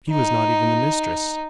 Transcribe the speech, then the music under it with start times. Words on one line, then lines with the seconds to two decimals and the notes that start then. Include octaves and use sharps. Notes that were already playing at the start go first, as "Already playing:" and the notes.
She was not even the mistress.
0.10 D#4